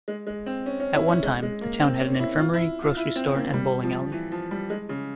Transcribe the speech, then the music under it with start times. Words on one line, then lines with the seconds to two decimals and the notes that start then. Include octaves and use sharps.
At one time, the town had an infirmary, grocery store, and bowling alley.
0.08 G#3
0.27 G#3
0.46 C4
0.66 C#4
0.80 C#4
0.94 E4
1.09 C#4
1.23 G#3
1.43 G#3
1.61 A#3
1.80 C4
2.00 C#4
2.20 E4
2.39 F4
2.53 E4
2.82 F4
2.97 E4
3.16 C4
3.35 A#3
3.54 G3
3.83 F3
4.12 E3
4.32 F3
4.51 G3
4.70 G#3
4.89 C#3